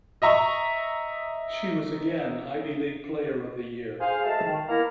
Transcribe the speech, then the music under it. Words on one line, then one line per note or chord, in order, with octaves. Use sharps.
She was again Ivy League Player of the Year.
D#5 E5 A#5 C#6
G#4 C5 F5
G#3 A3 F#4 F5 A5
D#3
A#3 B3 E4 A#4 F5 A#5